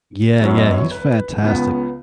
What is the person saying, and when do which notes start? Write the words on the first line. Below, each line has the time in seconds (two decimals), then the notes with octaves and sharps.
Yeah, yeah, he's fantastic.
0.40 F#2 F#3 B3 C#5
0.57 D#5
0.74 C#5
0.91 B4
1.42 C#2 C#3 B3